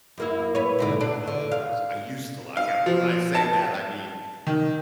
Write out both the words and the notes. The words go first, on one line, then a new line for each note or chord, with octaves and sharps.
Oh yeah, I love The Price I used to, like, when I say that, I mean
F#2 A#3 E4
B4 C#5
G#2 B2 D3
D4
D3
F5
F5
F3
A5
D#3